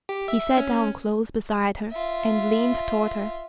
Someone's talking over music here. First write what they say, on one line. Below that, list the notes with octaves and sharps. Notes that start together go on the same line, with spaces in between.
He sat down close beside her and leaned toward her.
G4
E5
C#4
F4 E5